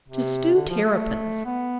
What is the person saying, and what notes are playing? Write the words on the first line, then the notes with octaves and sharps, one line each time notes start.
To Stew Terrapins.
C3
D3
F3
A3
B3